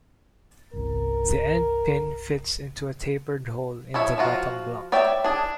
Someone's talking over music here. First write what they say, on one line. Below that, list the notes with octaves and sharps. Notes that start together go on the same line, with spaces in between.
The endpin fits into a tapered hole in the bottom block.
G1 C2 A#4
F3 E4 C#5 E5
F3 F4 F#4
C#5 D5 E5 G5
D4 G#4